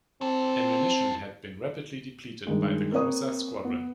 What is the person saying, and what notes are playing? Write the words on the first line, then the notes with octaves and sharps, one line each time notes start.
Ammunition had been rapidly depleted by the cruiser squadron.
E3 C4 A4
G2 D#3 G#3
A#3 C4 B4 C#5 D#6
B3